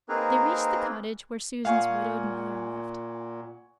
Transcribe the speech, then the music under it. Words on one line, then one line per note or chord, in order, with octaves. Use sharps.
They reached the cottage where Susan's widowed mother lived.
A#3 C4 D#4 G#4 A#4 B4
A#2 F5 F#5 G#5 C#6